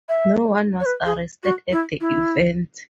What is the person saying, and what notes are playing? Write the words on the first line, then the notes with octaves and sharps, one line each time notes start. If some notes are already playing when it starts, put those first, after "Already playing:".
No one was arrested at the event.
E5
C#5
B4
G#4
F#4
E4
E4